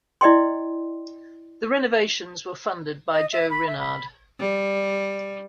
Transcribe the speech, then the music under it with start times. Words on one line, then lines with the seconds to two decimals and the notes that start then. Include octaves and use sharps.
The renovations were funded by Joe Rinard.
0.21 E4 D5 D#5 G5 C6
3.11 D#5
3.32 E5
3.49 B5
3.66 E5
3.78 B5
4.39 G3